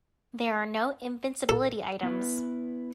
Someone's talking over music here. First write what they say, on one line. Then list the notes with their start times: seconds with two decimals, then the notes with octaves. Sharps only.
There are no invincibility items.
1.49 A4
2.03 B3 E4 B4